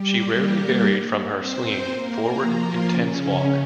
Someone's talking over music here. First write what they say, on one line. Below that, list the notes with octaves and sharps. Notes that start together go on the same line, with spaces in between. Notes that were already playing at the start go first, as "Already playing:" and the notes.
She rarely varied from her swinging, forward, intense walk.
Already playing: G3 G4
A#3 A#4
C4 C5
A#3 A#4
F3 F4
C#3 C#4